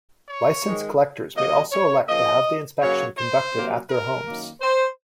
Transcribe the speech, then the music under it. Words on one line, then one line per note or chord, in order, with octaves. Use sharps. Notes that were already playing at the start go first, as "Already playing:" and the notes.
Licensed collectors may also elect to have the inspection conducted at their homes.
C#5
G#2 D#3 G#3
C3 F#3 A#3 D#5
C#5
C#3 F3 A#3 D#5
C#3 F#3 A#3 C#5
C5
C3 F#3 A#3
A#4
F#2 D#3 A#3
C5